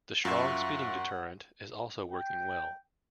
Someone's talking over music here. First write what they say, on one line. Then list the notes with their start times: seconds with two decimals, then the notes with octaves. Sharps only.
The strong speeding deterrent is also working well.
0.25 F#2 F4 E5 F#5 C#6
2.12 G5